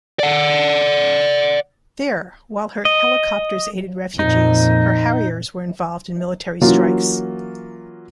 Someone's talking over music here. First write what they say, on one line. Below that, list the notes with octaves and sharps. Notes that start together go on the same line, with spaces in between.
There, while her helicopters aided refugees, her Harriers were involved in military strikes.
D5 F#5
D#5
F2 A#2 D#4
E3 F#3 A#3 C#4 F4